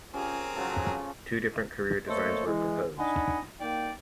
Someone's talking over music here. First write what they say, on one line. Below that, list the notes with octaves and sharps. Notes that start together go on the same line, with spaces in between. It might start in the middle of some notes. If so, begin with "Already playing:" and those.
Two different carrier designs were proposed.
C4 C#4 F4 G4 G#4 A#4
G#1 C#3 F3 F#3 A4
A3 A#3 A4 C5 C#5 D#5
E3 G#3
D4 D#4 D#5 F#5 G#5 B5
A#3 D#4 D5 G5